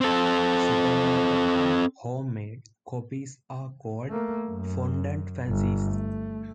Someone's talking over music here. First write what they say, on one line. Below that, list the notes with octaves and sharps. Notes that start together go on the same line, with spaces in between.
Supermarket and home-made copies are called Fondant Fancies.
C4 A4
A3 A#3
F#2
G1
A3